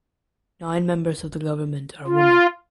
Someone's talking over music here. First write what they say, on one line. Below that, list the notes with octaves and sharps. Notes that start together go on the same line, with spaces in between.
Nine members of the government are women.
F4